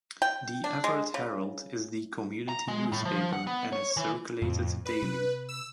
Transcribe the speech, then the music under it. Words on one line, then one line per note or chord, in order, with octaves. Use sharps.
The Everett Herald is the community newspaper and is circulated daily.
G5
D4
G#3
C#3
A#5
G#3
A2
F3
F#5
B3
C#5
E3
F2 A2 C#3 F3
B4
C3
E6